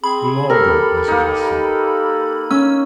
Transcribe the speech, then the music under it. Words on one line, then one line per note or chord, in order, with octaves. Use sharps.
"We'll all go," I suggested.
C4 G#4 B5
G4 A4 A#4
A#3 D#4
C#4 E6